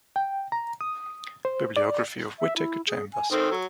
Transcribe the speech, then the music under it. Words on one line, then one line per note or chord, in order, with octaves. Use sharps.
Bibliography of Whittaker Chambers.
G5
A#5
D#6
C5
D5
E5
E4
G#4
G#5
D#3 C4 A4
F#3